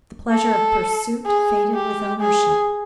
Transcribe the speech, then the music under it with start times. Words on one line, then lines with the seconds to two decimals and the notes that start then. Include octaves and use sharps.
The pleasure of pursuit faded with ownership.
0.31 A4
1.26 G#4
1.74 G4
2.21 G#4